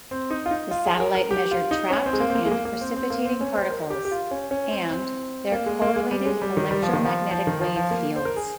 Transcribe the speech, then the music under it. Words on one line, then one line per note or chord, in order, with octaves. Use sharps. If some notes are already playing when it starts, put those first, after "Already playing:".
The satellite measured trapped and precipitating particles and their correlated electromagnetic wave fields.
C4
D#4
F4
D#4
F4
G#4
G#4
A#4
A#4
G4
F4
D#4
C#4
C4
G#3
A#3
C4
A#3
G#3
A#3
A#3
C4
C4
A#3
C4
C#4
C5
A#4
G4
G4
F4
C#4
C#4
C4
C4
A#3
G#3
A#3
G#3
G3
G#3
G3
D#3
G3
F3
D#3
F3
F3
D#3
F3
F3
A#3
C5
A#4
G#4